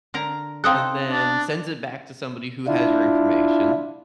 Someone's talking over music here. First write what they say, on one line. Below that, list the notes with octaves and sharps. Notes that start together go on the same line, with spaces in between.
and then sends it back to somebody who has your information,
D3 A#4 A#5
C4 D#4 A4 F5 D#6 F#6
D4
D4 E4 F4